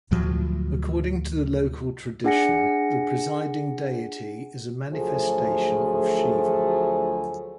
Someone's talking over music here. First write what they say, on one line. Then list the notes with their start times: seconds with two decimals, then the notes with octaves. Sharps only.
According to the local tradition the presiding deity is a manifestation of Shiva.
0.11 D2 A2 F3 F#3
2.24 D4 G#4 F#5 G#5 A#6 C#7
4.90 D2 F3 F#3 A3 G#4